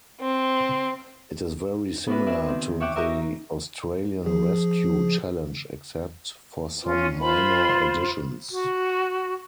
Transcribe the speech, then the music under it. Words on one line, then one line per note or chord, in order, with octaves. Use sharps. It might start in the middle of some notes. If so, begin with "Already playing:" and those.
It is very similar to the Australian Rescue challenge except for some minor additions.
C4
B3 C#4 D4 E4 F#4 B4
D4 D5 E5 G#5
D#3 C4
C#5 E5 F#5 G5 D6
F#4 G4 A#4 D#5 E5
F3 G#4
C#4 F4
F4 C5 B5
F#4